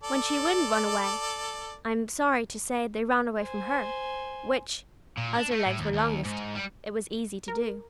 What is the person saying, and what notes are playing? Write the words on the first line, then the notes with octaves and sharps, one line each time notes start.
When she wouldn't run away, I am sorry to say they ran away from her, which, as their legs were longest, it was easy to do.
A4 D5
C5 G#5
A#2
D4
A3
A2
D#2
D#2
G#2
G3
A#4